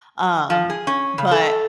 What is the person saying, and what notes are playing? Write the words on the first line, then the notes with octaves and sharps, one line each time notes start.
um but,
F3
G#4
C#4
C#3
A4